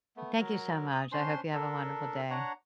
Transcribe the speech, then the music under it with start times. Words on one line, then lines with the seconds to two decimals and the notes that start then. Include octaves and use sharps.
Thank you so much, I hope you have a wonderful day,
0.17 A3 B3
0.38 F#3 A#4
0.91 D#6
1.12 C#4 D4 C5 C6
1.54 D4 A4 A#4
2.30 D4 C#5 F#5 A#5